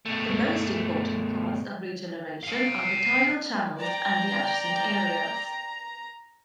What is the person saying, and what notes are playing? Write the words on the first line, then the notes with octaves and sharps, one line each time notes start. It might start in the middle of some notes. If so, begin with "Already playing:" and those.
The most important paths of regeneration are the tidal channels and the adjacent areas.
B2 A3
F5 G#5
D5 G5 A#5